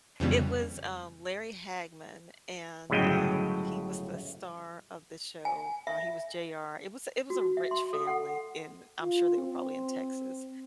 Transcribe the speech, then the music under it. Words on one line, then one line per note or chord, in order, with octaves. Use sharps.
it was, um, Larry Hagman, and, um, he was the star of the show uh, he was J.R. It was it was a rich family in I'm sure they were probably in Texas,
F2 C#3 E3 G3 B3
G1 A2 C#3 F#3 D#5 G5
G#5
E5
F#4
E5
C6
A4
F#5
F4
C4